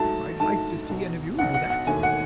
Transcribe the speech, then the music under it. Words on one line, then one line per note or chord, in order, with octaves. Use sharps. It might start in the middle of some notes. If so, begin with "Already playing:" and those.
I'd like to see any of you do that!
Already playing: G#2 F#3 A3 A5
G#2 F#3 A3 A5
B1 B2 F#3
B1 B2 F#3 F#5
F#5
F#5
E1 D#2 D#3 A3 G#5
F#5